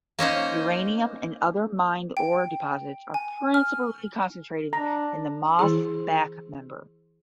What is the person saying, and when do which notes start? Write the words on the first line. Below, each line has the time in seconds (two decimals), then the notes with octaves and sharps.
Uranium and other mined ore deposits are principally concentrated in the Moss Back Member.
0.19 A#3 C#4 D#4 C5
2.17 G5
3.14 G#5
3.54 F6
4.73 D4 A#5
5.59 E3 E4 G#4